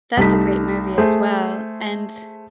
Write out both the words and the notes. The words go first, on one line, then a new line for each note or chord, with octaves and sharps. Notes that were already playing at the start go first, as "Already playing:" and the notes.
That's a great movie as well and
C2 G3 A3 D#4 B6
A3 G#4 C5